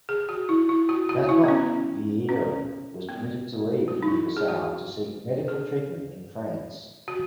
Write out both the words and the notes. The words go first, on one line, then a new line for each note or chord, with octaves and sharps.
That month Vieira was permitted to leave Guinea-Bissau to seek medical treatment in France.
G#4
F#4
E4
E4
F#4
F#4
E4
B3
C#4
C#4
B3
F#4
D#4
E4
G#4
F#4
G#4
F#4